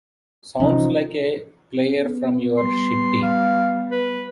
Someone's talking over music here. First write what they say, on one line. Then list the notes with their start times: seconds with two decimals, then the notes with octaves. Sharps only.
Sounds like a player from your shit team.
0.60 C3 E3 F3 C#4 D#4
2.03 B3
2.57 G3 C6
3.22 F5
3.91 B4